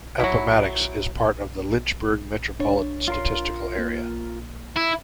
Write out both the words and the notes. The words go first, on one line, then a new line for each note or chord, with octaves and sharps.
Appomattox is part of the Lynchburg Metropolitan Statistical Area.
F#3 E4
D4 C#5
F4 A#4 C6
A#3
E4